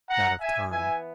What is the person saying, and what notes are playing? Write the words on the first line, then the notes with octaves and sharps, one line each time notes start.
That of Time.
F#5 A#5
E5 G#5
E3 B3 E4 E5 G#5